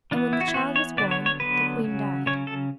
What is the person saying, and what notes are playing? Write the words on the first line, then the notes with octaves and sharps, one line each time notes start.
And when the child was born, the queen died.
E3 B3 D4
E4
F#4
E4
E3 B3 F#4
C#5
D3 F#3 B3 D5
C#5
C#5
D3 F#3 B3 B4
C#3 F#3 C#4
C#3 F#3 C#4 C#5
A4